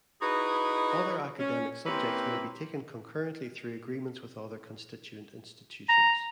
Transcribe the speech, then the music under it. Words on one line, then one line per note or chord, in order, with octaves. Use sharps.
Other academic subjects may be taken concurrently through agreements with other constituent institutions.
D#4 E4 F#4 G#4 B4 D#5
C#4
A#3 C4 C#4 E4 G4 B4
A#5